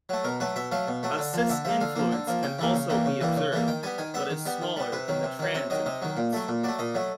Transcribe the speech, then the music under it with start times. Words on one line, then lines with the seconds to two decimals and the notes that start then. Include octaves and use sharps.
A "cis influence" can also be observed, but is smaller than the trans influence.
0.09 F#3 A3
0.24 B2 A#4
0.40 F#3 A3 B4
0.56 B2 E5
0.72 F#3 A3 F5
0.88 B2
1.03 F#3 A3
1.18 D3
1.34 F3 A#3
1.49 D3 E5
1.65 F3 A#3 E5
1.81 D3 F5
1.96 F3 A#3
2.11 D3
2.27 F3 A#3
2.43 C#3 G5
2.59 E3 G3 A#3
2.74 C#3
2.90 E3 G3 A#3
3.05 C#3
3.21 E3 G3 A#3
3.36 C#3
3.52 E3 G3 A#3
3.68 D#3 G5
3.83 G3 B3 G#5
3.98 D#3 G#5
4.14 G3 B3 E5
4.30 D#3
4.46 G3 B3
4.62 D#3
4.76 G3 B3
4.92 C3 B4
5.08 D#3 F#3
5.23 C3
5.39 D#3 F#3
5.54 C3 C#5
5.70 D#3 F#3 D#5
5.86 C3 D#5
6.02 D#3 F#3
6.17 A#2
6.33 F#3 A3
6.48 A#2
6.64 F#3 A3 D5
6.79 A#2 D#5
6.95 F#3 A3